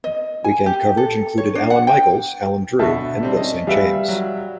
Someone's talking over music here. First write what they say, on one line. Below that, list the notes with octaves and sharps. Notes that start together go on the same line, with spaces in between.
Weekend coverage included Allan Michaels, Alan Drew and Bill Saint James.
D#5
G#5
G4
A4
C#5
D4
F#5
G5
D2 B2 E5 A5 C#6
C3 G3 C4
C#4 D#5
G3 G#4 B4 E5 F5
F#3